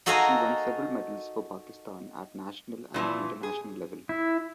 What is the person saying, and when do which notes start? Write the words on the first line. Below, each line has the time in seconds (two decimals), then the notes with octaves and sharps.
She won several medals for Pakistan at national and international level.
0.06 D#4 F#4 A4 A#4 F5 G#5
2.94 A#2 E3 F3
3.43 G#4
4.09 E4